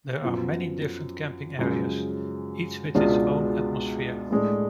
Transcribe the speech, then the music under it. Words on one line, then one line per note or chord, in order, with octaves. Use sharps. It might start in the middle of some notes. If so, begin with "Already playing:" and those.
There are many different camping areas, each with its own atmosphere.
F#2 F3 B3
F#2 C#3 F3 G#3
C#2 B2 G#3 D4 F4
A2 G#3 D4